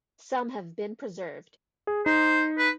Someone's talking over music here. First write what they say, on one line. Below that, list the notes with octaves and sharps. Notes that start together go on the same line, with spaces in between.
Some have been preserved.
G#4
D#4 C5
B4